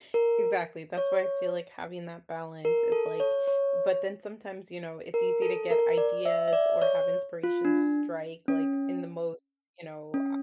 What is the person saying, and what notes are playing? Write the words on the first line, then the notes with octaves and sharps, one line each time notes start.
yeah. Exactly, that's why I feel like having that balance, it's, like but then sometimes, you know, it's easy to get ideas or have inspiration strike, like, in the most, you know,
A#4
C#5
A#4
A4
C#5
C#5
A#4
A4
A#4
D5
E5
E5
D5
C#5
F4
D4
C#4
C#4